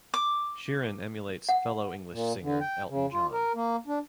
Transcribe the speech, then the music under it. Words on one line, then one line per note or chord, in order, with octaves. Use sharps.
Sheeran emulates fellow English singer Elton John.
D6
F#5
A#2
D3
G5
C#3
F4
A#4
A#3
D4